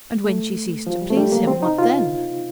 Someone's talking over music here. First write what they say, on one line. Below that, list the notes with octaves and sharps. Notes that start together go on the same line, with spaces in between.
And when she ceased to please him, what then?
A3
F3
G3
A3
G3
A#3
C4
D#4
F4